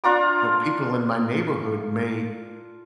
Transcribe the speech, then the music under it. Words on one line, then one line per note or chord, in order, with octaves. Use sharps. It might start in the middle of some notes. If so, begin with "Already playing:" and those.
you know, people in my neighborhood may
D4 F4 A#5 D6